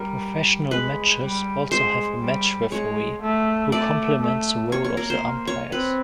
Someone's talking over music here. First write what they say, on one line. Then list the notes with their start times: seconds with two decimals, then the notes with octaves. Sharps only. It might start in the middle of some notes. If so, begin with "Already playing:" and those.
Professional matches also have a match referee, who complements the role of the umpires.
Already playing: G3 A#4
0.71 G#3 B4
1.21 G3
1.71 G#3 C5
2.21 G3
2.72 G#3 C#5
3.22 A3
3.72 A3 D5
4.22 A3
4.72 A#3 C#5
4.84 C#5
4.97 A#4
5.10 C5
5.47 C#5
5.72 C4 B4